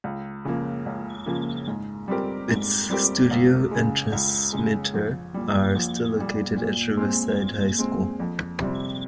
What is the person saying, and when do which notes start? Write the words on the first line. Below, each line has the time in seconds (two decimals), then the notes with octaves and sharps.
Its studio and transmitter are still located at Riverside High School.
0.04 C#2
0.45 C#3 F3 A#3
0.86 C#2
1.26 C#3 F3 A#3
1.67 G#2
2.08 G3 C4 G4 A#4
2.49 G#2
2.90 G3 C4 G4 A#4
3.30 C#2
3.71 C#3 G#3
4.12 C#2
4.53 C#3 G#3
4.94 A#1
5.34 A#2 G3
5.75 A#1
6.16 A#2 G3
6.57 A#2
6.97 G#3 C4
7.39 A#2
7.79 G#3 C4
8.20 F2
8.60 C3 G3 C4